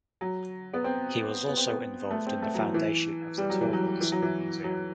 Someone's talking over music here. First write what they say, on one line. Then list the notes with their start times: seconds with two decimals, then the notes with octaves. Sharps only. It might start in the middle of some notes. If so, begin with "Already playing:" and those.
He was also involved in the foundation of the Thorvaldsen Museum.
0.21 F#3
0.74 B3
0.84 C4
1.48 B3
1.57 C4
1.68 B3
2.11 A3
2.26 C4
2.42 A3
2.54 F#3
2.59 E3
2.74 E3
3.38 G3
3.50 F#3
3.61 E3
3.73 F#3
4.01 E3
4.12 F#3
4.22 E3
4.64 F#3